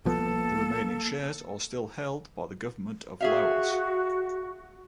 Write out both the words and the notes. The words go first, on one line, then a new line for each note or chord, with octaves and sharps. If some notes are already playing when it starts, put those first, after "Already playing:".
The remaining shares are still held by the government of Laos.
C2 F3 A#3 B3 A4
F#4 G#4 E5 F5